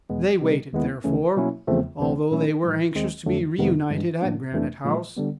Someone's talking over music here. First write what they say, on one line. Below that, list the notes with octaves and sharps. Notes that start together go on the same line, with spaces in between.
They waited, therefore, although they were anxious to be reunited at Granite House.
E2 B2 G#3 B3
C3 D#3 G3 C4 D#4
D#2 D#3 G#3 B3 E4
D2 C#3 E3 A3 C#4
B2 F#3 A#3 C#4 E4
E2 C#3 F3 A3 C4
D2 C3 E3 A3 C4
A#2 F#3 A3 C#4 E4
A2 E3 G3
D#2 D#3 G#3 C4
F2 D3 F#3 A3
F2 C3 D#3 G3 B3
G2 E3 G#3
A2 F3 A#3 D4
F2 C3 E3 A3 D4
A#2 F3 G#3
D3 G3 B3